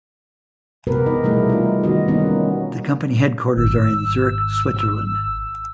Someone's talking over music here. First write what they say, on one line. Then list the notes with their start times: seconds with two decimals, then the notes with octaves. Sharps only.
The company headquarters are in Zurich Switzerland.
0.87 C3 G#3 B3 G4 A#4 B4
1.06 E3 D#4 D#5
1.24 B2 G3 A3 E4 G#4 A#4
1.49 D#4 F4
1.83 D#3 A3 B3 D#4 F#4 D#5
2.08 D#3 G3 A#3 B3 C#4 D#4
3.57 G#1 E6